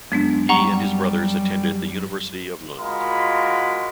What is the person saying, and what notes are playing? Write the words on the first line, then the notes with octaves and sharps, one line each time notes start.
He and his brothers attended the University of Lund.
F#2 G#3 B3 D4
G3 F#5 A#5 C#6
G#3 F4 F#4 A#4 B5